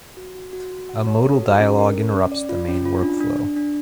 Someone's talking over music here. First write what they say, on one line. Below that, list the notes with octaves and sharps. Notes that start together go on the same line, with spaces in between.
A modal dialog interrupts the main workflow.
F#4
F#4
F#4
F#4
F#5
C#5
A4
F#4
C#4
A#4
C#4
C#4
D5
F4
C#4
F4
D4
D4
D4
D4